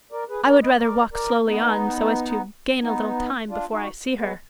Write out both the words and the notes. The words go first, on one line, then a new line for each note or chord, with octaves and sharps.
'I would rather walk slowly on, so as to gain a little time before I see her.
A#4 D5
G#4 B4
A#4 D5
B4 D#5
A#4 D5
A#4 D5
B3 D#4
B3 D#4
D4 F4
D#4 F#4
G#3 B3